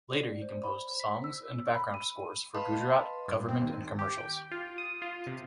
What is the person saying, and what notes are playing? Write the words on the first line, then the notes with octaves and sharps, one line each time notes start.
Later he composed songs and background scores for Gujarat government and commercials.
D5
C5
B5
B6
E6
B5
D#7
B4 D#5 F5 A5 B5 C6
G2
C4
D#2
G4
G5
F4
D#6
F4
C3